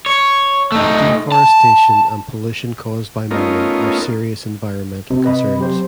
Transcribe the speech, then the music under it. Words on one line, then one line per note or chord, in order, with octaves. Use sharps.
Deforestation and pollution caused by mining are serious environmental concerns.
C#5
A3 D#4
A5
A3 B3 C#4 D#4 F4 A#4
C3
B4 D#5 B5
F#3 G4 C5